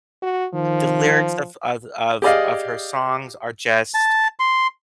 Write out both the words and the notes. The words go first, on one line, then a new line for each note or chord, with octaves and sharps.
the lyrics of of of of her songs are just,
F#4
D#3 F3
G4 G#4 D5 D#5 F5
A5
C6